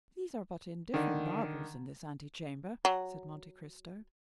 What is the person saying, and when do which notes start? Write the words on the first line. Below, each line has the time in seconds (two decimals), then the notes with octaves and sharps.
"These are but indifferent marbles in this ante-chamber," said Monte Cristo.
0.94 D3 D#3
2.85 F#3